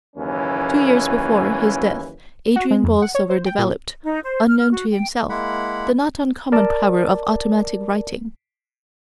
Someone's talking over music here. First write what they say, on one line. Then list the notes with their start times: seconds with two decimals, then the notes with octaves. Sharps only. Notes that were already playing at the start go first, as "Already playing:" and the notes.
Two years before his death Adrian Borlsover developed, unknown to himself, the not uncommon power of automatic writing.
0.16 F#1 D#2 E3 C#4
2.56 F#4
2.71 G#3
2.84 F2
3.02 F#5
3.15 C#5
3.30 C5
3.46 G5
3.58 A#2
4.04 D#4
4.23 C5
4.46 F6
4.58 F6
4.71 F#4
4.91 G5
5.30 G#3 A#3 E4 F#5 B5
6.52 A#4 D5 A5